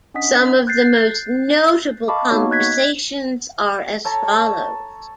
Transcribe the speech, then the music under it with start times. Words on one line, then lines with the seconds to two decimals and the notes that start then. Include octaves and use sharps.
Some of the most notable conversations are as follows.
0.14 C#4 D4 D#5 F#5 D#6 B6
0.67 F#6 G6 A6 C7
2.08 D#5 F5 A5 B5 C#6 D6
2.30 A#3 B3 D#4 F#4 C#5 C#6
2.50 D#5 F#6 G#6 B6
4.05 A4 C#5 A5 A#5